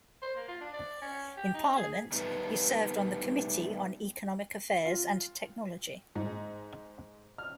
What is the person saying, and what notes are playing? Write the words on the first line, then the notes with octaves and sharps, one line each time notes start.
In parliament, he served on the Committee on Economic Affairs and Technology.
C5
A#3
F4
D4
D5
C#4
G4
D#4
G#4
G3 A3 B3 D#4
F4
G#2
F6